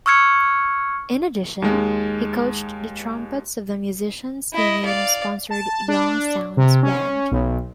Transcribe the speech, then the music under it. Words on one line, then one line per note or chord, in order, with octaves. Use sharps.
In addition, he coached the trumpets of the Musicians Union sponsored Young Sounds band.
C#6 E6 F6 G#6 C#7
D#2 G#3
E4 D#5
D5 F5
A5
D4
C3
C#4
B1